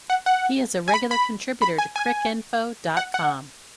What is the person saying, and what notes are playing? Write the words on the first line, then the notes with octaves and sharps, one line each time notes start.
He is a regular contributor to Cricinfo dot com.
F#5
F#5
G#5
B5
B5
B5
G#5
G#5
F#5
F#5